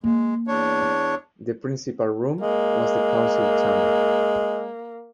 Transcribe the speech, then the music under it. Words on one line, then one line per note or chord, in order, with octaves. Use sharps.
The principal room was the council chamber.
G#3 A#3
E2 D4 C#5
G#3 A#3